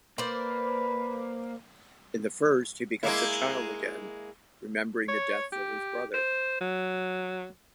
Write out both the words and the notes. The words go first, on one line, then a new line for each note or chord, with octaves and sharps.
In the first he becomes a child again, remembering the death of his brother.
A#3 B4 C5 D5
G#3 A#3 E4
C#5
G4
C5
F#3